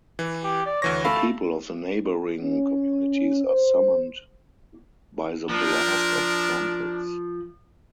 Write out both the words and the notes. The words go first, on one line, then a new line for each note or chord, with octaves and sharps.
The people of the neighboring communities are summoned by the blast of trumpets.
E3
G4
D5
D2 E3 C#5 A#6
A3 F5 B5
C#4
C5
F3 D4 A#4